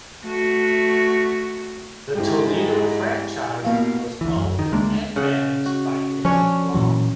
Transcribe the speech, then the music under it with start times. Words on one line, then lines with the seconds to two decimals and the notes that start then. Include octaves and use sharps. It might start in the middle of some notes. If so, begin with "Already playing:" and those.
The Toledo franchise was owned and managed by Denny Long.
0.24 A3 F#4
2.15 G#2 E4 G4
3.64 B2 A#3 F5
4.21 D2 E3
4.36 F#2
4.59 D#3
4.72 D2 G#3 A#3 D4
5.16 C#3 F#5
5.66 F#4
6.25 F3 C#4 D4 C#5
6.74 A#2 E3 F#3